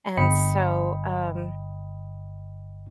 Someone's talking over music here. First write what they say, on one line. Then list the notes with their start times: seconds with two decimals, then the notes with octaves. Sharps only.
And so, um,
0.17 G1 D#5 G5 B5 C#7